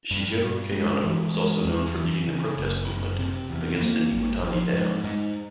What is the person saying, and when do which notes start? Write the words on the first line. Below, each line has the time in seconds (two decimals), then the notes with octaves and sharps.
Shigeru Kayano was also known for leading the protest movement against the Nibutani Dam.
0.11 G2
0.41 G2
0.72 G#3
1.04 E3
1.34 G#3
1.65 E2
1.96 E3
2.27 C#3
2.57 F#1
2.89 F#1
3.19 C3
3.50 E2
3.81 A#3
4.11 G#1
4.43 F3
4.73 G#2
5.04 G#2